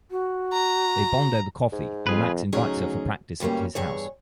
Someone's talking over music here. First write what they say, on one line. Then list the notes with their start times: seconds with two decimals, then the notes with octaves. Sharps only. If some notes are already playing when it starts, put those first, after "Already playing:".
They bond over coffee and Max invites her for practice at his house.
0.11 F#4
0.53 A#5
1.72 G#2
2.07 F2 F4 G#4 B4
2.52 D2 F#3 C#4 D#4 G#4
3.40 D2 G2 G3 A#3 C#4
3.75 E2 G2 G#4 C#5